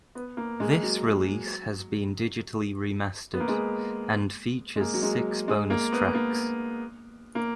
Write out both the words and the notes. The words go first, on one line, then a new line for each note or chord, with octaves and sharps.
This release has been digitally remastered, and features six bonus tracks.
B3
A#3
G#3
F#3
B3
A#3
G#3
G#3
A#3
F#3
G#3
G#3
A#3
B3
A#3
A#3